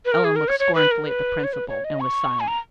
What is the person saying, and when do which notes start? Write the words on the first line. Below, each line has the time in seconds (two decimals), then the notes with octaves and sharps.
Eleanor looked scornfully at the principal, and was silent.
0.05 B4
0.12 A#4
0.24 G#4
0.36 A#4
0.48 C#5
0.60 C#5
0.75 B4
0.91 A#4
1.07 B4
1.44 C#5
1.53 B4
1.69 C#5
1.84 D#5
2.00 C#6
2.40 G#5
2.48 A#5